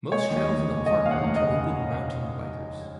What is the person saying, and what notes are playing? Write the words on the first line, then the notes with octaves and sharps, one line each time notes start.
Most trails in the park are to open mountain bikers.
G#3 C#5
D#2
D#5
F1
C#3
G#3 D#5
D#2 F5
F#5
F1
D#5
C#3